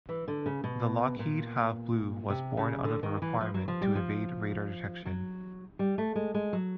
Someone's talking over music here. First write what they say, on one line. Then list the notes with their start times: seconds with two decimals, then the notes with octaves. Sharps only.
The Lockheed "Have Blue" was born out of a requirement to evade radar detection.
0.09 E3
0.28 D3
0.46 C#3
0.64 B2
1.19 A#2
2.30 C3
2.57 C#3
2.84 D3
3.03 D#3
3.22 E3
3.40 F3
3.54 F#3
3.68 F3
3.81 G3
3.95 F3
5.05 F#3
5.79 G3
5.98 A3
6.15 G#3
6.34 G#3
6.53 F#3